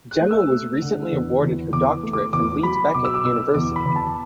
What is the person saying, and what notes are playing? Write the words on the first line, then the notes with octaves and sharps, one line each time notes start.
Gemma was recently awarded her doctorate from Leeds Beckett University.
F#6
A3
E6
A3
D3
E2
E2
E2 D6
A3
D6
E2 D6
F#3 B5
B2 D6
E6
D6
B2 E6
E2 D6
B5
E2
A5